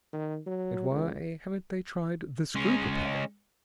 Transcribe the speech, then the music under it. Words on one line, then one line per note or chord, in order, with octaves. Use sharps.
And why haven't they tried the screw-propeller?
D#3
F#3
C#2
G#3 C#4